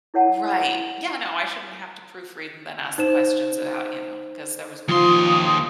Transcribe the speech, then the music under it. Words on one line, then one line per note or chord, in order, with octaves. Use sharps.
Right. Yeah, no, I shouldn't have to proofread and then ask questions about, you know 'cause there was
E4 A#4 C#5 F#5 A5
D#4 C5 E7
D#2 F3 C6 D#6